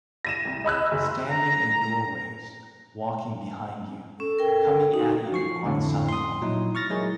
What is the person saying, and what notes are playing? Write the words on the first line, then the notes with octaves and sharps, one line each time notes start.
Standing in doorways, walking behind you, coming at you on the sidewalk.
A#6 D#7 E7
C2
D#5 B5 E6 F#6
F#1
A#5
C#4 A4
A#4 G5
D#4 F#4
F3 C#6 C7
F2 A2 D3 C#4
C6 D#6
A#2 F#3 D#4 E4
C#6 F6 A6 A#6
F#3 G#3 E4 G#4 A#4